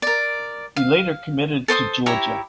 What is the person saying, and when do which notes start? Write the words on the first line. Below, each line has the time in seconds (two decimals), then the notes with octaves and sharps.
He later committed to Georgia.
0.02 A#4 D5
0.76 F5
1.68 A4 C5 D6 D#6
2.06 E4 G4 C#5 A#5